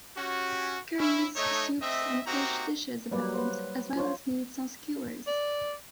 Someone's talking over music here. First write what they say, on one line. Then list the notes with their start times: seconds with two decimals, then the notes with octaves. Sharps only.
Curries, soups and fish dishes abound, as well as meats on skewers.
0.17 C#4 F#4 G4
0.98 C#4 E4
1.36 A3 D#4 C#5
1.81 A3 C4 D#5 E5
2.26 A#3 C4 D#4 F#4 G4 A#5
3.11 F#3 G3 A#3 B4 D5
3.34 B4 C5
3.96 F4 C5 C#5
5.27 D5